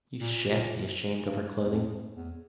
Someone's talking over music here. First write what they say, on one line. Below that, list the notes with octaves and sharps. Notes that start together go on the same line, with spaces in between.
You shan't be ashamed of her clothing.
A#2
A#2
G2
E2
F2
E2